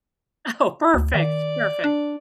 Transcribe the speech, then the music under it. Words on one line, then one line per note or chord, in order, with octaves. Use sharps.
Oh, perfect, perfect.
D2
D#3 D5
D4